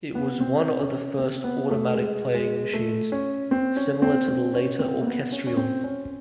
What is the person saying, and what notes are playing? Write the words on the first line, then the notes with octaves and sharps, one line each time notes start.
It was one of the first automatic playing machines, similar to the later Orchestrion.
B3
C4
C#4
C4
B3
A3
G#3
G#3
A3
C#4
C4
C#4
C4
C4
C#4
C4
A#3
B3
C#4
C#4
C4
C#4